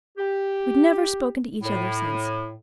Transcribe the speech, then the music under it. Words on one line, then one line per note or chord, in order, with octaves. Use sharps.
We've never spoken to each other since.
G4
A2